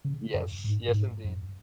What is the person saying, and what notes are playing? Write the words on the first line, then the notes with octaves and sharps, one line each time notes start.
Yes, yes, indeed.
C#3
F#2
G#2
A2
G#2
F#2